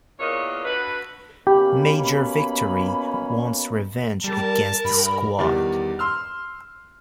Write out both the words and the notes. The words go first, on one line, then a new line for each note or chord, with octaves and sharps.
Major Victory wants revenge against the Squad.
E2 A#2 A#3 C#5 D#5
D3 F#4 B4
B2 A#3 C#4 G4 B5
G3 A#4 A5
G2 B5
E2 D#3 G3 D5
C6 E6 F6